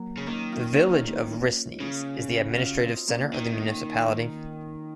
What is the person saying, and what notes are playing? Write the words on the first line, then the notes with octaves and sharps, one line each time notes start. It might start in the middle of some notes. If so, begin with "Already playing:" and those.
The village of Rhisnes is the administrative centre of the municipality.
Already playing: F#3 A#3
C#3
D#3 A#3 C#4
C#4 F4
C#4 F4
C#3
F#4
C#4 F4
C4 D#4
A#3 C#4
D#3